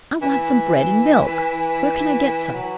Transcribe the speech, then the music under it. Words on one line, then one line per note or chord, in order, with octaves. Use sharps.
"I want some bread and milk. Where can I get some?"
E3
F#3